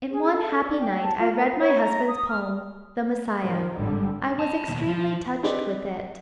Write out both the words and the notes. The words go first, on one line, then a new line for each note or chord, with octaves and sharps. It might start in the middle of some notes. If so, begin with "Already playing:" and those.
In one happy night I read my husband's poem, 'The Messiah.' I was extremely touched with it.
G#4
A4
D5
G5
A5
F4
A#4
C#5
A#5
D#6
F6
D#3 F3
G#1 D3 G3
G5 A5
D#2 B2
F3
C4 D#4 G4 G#4 B4 D5